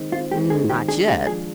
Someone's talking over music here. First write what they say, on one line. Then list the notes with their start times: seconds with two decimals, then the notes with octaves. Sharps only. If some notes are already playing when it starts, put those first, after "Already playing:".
"Not yet."
Already playing: D#3 G#3 C4 D#4
0.12 C4 F4
0.31 G#3 G4
0.50 D#4 G#4
0.70 D#3 G4
0.88 D4 G#4
1.08 G#3 G4
1.27 F3 G#4